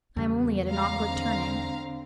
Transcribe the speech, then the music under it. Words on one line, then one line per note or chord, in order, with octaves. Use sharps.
I am only at an awkward turning.
E2 C#3 G3
G#3 F5 A#5
D3 C4